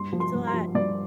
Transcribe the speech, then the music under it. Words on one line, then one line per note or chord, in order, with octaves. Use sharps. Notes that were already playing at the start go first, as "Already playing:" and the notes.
it's a lot
Already playing: G2 C6
F3
C6
G2
C6
F3
G2 D5